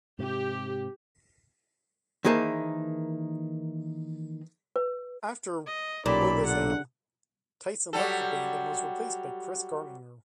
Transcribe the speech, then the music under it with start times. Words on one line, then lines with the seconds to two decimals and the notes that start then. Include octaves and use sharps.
After "Boogazm", Tyson left the band and was replaced by Chris Gartner.
0.19 G#2 C3 G4
2.25 D#3 E3 A#3 G#4 C5 A5
4.76 B4
5.66 D#5
6.06 B1 E2 A#2 C#4 D#4 G4 A4 B5
6.46 E2 D3 D4 F#5
7.93 F#3 G3 A4